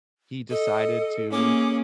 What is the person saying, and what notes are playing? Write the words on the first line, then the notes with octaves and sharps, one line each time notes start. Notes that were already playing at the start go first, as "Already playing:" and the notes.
he decided to
A4 D#5
A#3 C#4 G#4 D6